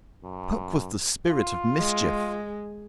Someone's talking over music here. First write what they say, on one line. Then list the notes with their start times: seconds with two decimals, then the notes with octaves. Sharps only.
Puck was the spirit of mischief.
0.24 F#2
1.27 F4
1.78 G#3